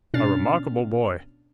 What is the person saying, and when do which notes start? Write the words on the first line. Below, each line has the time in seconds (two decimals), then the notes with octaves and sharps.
'A remarkable boy!
0.14 B2 C#4 D4 F6 A6 C7